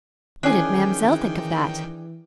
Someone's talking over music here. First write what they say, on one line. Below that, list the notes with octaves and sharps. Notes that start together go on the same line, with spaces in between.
"What did Mam'selle think of that?"
D#3 E3 C#4 D4 E4 G#4 G5